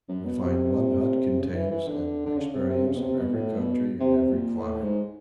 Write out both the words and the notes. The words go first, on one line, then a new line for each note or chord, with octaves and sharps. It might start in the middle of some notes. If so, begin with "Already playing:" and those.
We find one hut contains an experience of every country and every clime!
F#2
B2
C3
C#3
E3
E3
D3
D3
C#3
C3
C3
C#3
B2
C3
B2
A2
B2
C3
C3
A#2
A2
G#2